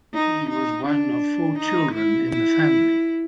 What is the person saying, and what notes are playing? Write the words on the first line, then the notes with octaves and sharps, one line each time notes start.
He was one of four children in the family.
D#4
D#4
D4
D#4
E4
E4